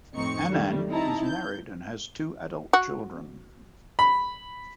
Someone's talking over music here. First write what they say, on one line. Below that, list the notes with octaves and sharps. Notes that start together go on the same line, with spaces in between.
Annan is married and has two adult children.
F2 A2 C4 D#4 C#6 C#7
D#3 G3 A3
C4 D#4 E4 A5 A#5
G6
F#4
B5